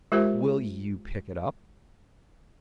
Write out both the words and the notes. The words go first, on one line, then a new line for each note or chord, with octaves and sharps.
'Will you pick it up?'
G#3 F4 G4 A#4 C5 E5